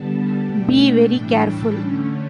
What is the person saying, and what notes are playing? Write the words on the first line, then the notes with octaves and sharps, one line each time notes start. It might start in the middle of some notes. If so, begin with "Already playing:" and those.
Be very careful.
Already playing: D3 G3 B3 A5
A5
B2 A3 D4 G5
A2 E3 G3 D4 G5
A5
D3 A3 C#4